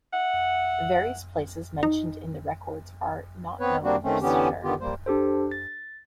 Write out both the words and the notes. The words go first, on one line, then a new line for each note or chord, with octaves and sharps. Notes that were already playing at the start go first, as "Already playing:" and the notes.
"Various places" mentioned in the records are not known for sure.
E5 F#5
D#4
B3 C4 B4 C#5
G3 A#3 C4 D4 F#4
D#3 A3 C4 C#4
D3 E3 B3 C#4 G4
D3 D#3 B3 F4 G4
G3 A#3 C5
D4 G4 A4 C5
A6